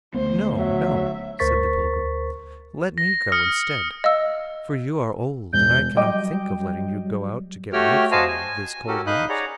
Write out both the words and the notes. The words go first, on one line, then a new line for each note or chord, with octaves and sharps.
"No, no," said the pilgrim, "let me go instead, for you are old, and I cannot think of letting you go out to get wood for me this cold night!"
D2 A3 B3 C5
F#3 E5
D2 A#4 C5 C#6 A6 B6
A#6
D#6 F6 C#7
D#5 F5 E6
E1 G6
F#3 G3 D#5 G5 D6
A3 F#4 G4 C#5 G5 F6
F#4 C5 D#5 F5 G#5 A5
G#5
C#4 F#4 G4 A4 A#4
D#4 F5 B5 D#6 F#6 G6
G#4 C#5 D5 F#5 A#5